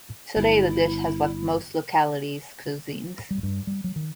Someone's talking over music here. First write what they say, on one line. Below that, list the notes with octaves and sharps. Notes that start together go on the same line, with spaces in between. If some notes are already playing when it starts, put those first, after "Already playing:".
Today the dish has left most localities' cuisines.
G1 E4
G3
G2
G3
F#3
D#3